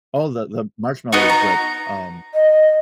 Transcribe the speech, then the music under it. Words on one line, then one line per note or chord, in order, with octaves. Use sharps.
Oh, the the marshmallow whip, um,
B3 D#4 F#4
A#5
D#5